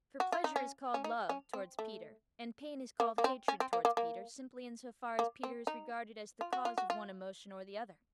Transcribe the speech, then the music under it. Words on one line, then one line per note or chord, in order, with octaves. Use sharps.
For pleasure is called love towards Peter, and pain is called hatred towards Peter, simply in so far as Peter is regarded as the cause of one emotion or the other.
F#4
F4
D#4
C#4
C#4
D#4
C#4
C4
A3
A#3
A#3
C4
C#4
C4
A#3
A#3
A#3
A#3
C4
D#4
F4
F#4
F4
F#4
F4